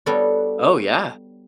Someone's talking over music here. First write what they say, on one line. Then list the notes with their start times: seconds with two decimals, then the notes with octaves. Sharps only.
Oh, yeah,
0.06 G3 B3 D4 F#4 A4 C#5